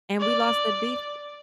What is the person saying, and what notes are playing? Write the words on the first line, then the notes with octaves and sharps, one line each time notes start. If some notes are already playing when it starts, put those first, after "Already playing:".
And we lost the defense
D5